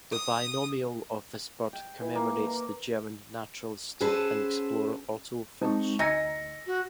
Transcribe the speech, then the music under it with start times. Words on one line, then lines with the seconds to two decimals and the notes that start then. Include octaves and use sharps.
The binomial of this bird commemorates the German naturalist and explorer Otto Finsch.
0.12 D#6
1.73 G5
2.01 E3
2.15 A#3
2.47 A#5
4.00 C#4 F#4 G#4 A4 B4 C5
5.62 G#3 C4 D#4 A5 C#6
5.99 D2 D#4 G#5 E6 A#6 C#7
6.66 F#4